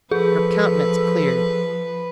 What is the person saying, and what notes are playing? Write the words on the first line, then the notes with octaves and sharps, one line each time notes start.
Her countenance cleared.
F3 G#4 A4 B4